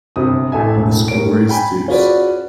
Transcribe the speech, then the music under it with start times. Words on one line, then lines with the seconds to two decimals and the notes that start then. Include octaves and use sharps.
The score is deuce.
0.16 G1 C3 D#6
0.52 A1 A4 E5 G#5
0.76 E1 A2
1.08 A2 C#4 A#4 D7
1.49 G5 G#5 B5
1.88 C#4 F4 F#4 G#4 B4 D5